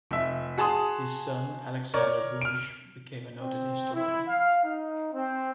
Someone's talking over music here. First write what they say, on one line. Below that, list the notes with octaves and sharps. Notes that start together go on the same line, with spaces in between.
His son Alexander Bugge became a noted historian.
F1 E5
F#4 G#4 A5 C6 D#6
A#4 C#5 D5
F6 D7
C4
E4
F5
D#4
C4